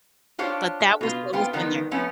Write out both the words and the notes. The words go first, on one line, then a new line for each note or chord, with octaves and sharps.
B ut that was what was in there.
D4 F4 G4 C5 C#5
B2 F4
B3 F4 C5 G5
D#3 F3 G3 B3 D#4
F3 A3 B3 C#4